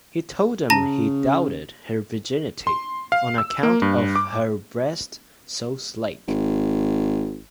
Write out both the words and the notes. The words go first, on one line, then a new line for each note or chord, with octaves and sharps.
He told them he doubted her virginity, on account of "her brests so slacke".
C#3 A5 A#5 A#6
C6
F5
E6
A#3
G2
D6
G#1